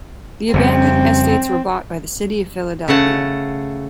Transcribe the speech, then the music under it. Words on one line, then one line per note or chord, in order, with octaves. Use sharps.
The abandoned estates were bought by the City of Philadelphia.
F2 C#3 G3 C4
C#3 A3 F#5 A5